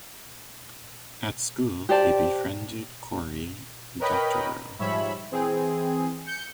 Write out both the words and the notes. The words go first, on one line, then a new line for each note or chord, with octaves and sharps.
At school, he befriended Cory Doctorow.
G4 C5 D5 A5
A#4 B4 C#5 D#5 G5 B5
G#2 F3 G3 C#5 E5 B5
E3 C4 G#4
G6 C#7